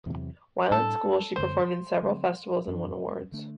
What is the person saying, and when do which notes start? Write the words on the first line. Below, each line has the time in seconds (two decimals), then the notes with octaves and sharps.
While in school she performed in several festivals and won awards.
0.06 E2 C3 F#3
0.71 A2 G3 D4 A4
1.36 F#2 D3 A3 C5
2.02 D3 F#3 C4
2.68 F#2 E3 B3 D4
3.32 D3 A3 D4